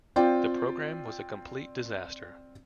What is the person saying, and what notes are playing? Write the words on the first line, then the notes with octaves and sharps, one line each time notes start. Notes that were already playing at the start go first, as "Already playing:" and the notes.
The program was a complete disaster.
C4 F4 D5 G5